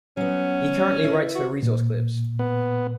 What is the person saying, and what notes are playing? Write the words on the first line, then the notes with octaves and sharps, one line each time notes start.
He currently writes for Resource Clips.
F#3 B3 C#4
E4 B4
F#4
A#2
B3